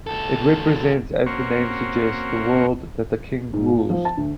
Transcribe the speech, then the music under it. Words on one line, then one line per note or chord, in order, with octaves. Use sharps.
It represents, as the name suggests, the world that the king rules.
C#2 A4
A#3 C4 C#4 F#4
G#2
F4
F3
A5
D2